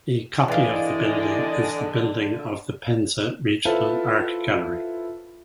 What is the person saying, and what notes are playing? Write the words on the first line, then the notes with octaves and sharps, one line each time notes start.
A copy of the building is the building of the Penza Regional Art Gallery.
D3 E3 G#3 E4 D5 D#5 F5
E4 F4 A4 B4 C5